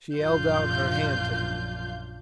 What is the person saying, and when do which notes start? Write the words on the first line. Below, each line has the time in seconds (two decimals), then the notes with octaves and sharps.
She held out her hand to him.
0.16 A#1 F#2 D4 F4 F5 G6